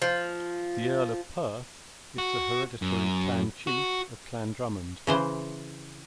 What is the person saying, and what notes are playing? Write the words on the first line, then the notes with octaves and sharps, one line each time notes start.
The Earl of Perth is the hereditary Clan Chief of Clan Drummond.
F3
F#4
F#2
F#4
C#3 E3 C5